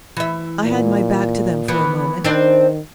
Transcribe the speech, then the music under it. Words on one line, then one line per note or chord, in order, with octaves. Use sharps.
I had my back to them for a moment.
E3 E5
A#2
E3 B3
D#3 C4 D4